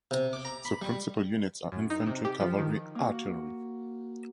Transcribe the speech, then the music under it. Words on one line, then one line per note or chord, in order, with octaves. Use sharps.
The principal units are infantry, cavalry, artillery.
C3
D6
A#5
B5
G3
F#2
D#4
C3
G4
F3
D#3
A#3 F#4